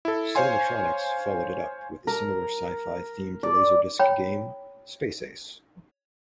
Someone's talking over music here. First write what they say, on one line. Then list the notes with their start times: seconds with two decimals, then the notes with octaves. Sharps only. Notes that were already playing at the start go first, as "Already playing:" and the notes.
Cinematronics followed it up with the similar sci-fi-themed laserdisc game, "Space Ace".
0.05 E4 A4
0.35 C5 C#5 F5 G#5 C6
2.07 A#4
3.43 D5
4.00 C#5 G5 A#5 B5